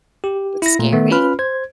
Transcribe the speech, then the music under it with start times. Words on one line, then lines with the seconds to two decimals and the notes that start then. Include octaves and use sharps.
it's scary.
0.24 G4
0.62 E4 A#6
0.79 A#2 A3
0.92 D#3 A3 B3
1.11 C#4 F4 B4 B5 F6
1.39 C5 G#6